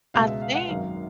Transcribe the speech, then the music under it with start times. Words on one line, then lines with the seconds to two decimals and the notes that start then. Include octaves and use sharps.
I think
0.14 C#2 B2 G#3 F5
0.28 E5
0.42 F5
0.55 F#5
0.68 G#1 F#2 D#3 F#3 F5